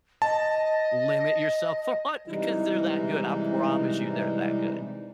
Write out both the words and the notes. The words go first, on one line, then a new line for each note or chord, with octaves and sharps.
limit yourself on 'cause they're that good, I promise you they're that good.
D#5 A5
C3 E3 G3 G#3 D#4